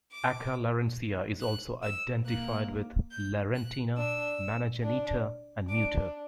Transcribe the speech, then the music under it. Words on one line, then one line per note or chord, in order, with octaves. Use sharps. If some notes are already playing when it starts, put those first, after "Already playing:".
Acca Larentia is also identified with Larentina, Mana Genita, and Muta.
D6
F#6
E6
A#3 F#6
G6
F#6
D4 E6
D4
D4 D6